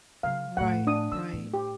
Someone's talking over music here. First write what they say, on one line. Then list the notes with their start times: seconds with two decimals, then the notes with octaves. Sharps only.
Right, right,
0.23 C#3 F#3 F5
0.57 F2 A2 F#5
0.87 D4 D#6
1.12 D#3 E6
1.33 A2
1.54 G4